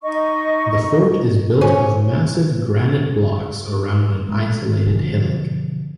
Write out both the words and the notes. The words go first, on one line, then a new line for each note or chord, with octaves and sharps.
The fort is built of massive granite blocks around an isolated hillock.
D#4 D#5 C#6
C#4
G#3
B2 D3 E3 F3